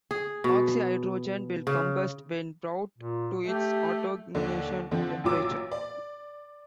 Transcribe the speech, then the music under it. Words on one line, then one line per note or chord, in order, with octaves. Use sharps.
Oxyhydrogen will combust when brought to its autoignition temperature.
G#4
B2
C#3
A#2
A3 G4
D#2 D3
D3 F3 C4
A1 A#2 F#3 D6 E6
D5